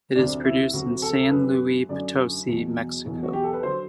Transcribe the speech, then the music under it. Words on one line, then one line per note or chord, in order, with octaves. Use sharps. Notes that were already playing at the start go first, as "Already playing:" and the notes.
It is produced in San Luis Potosi, Mexico.
D2 C3 F#3 D4
E4
D2 C3 F#3 F#4
A4
F#2 D3 F#3 B4
F#2 D3 F#3 D5
E2 B2 F#3
E2 B2 F#3
F#4
G4
A4
B4
D3 F#3 C5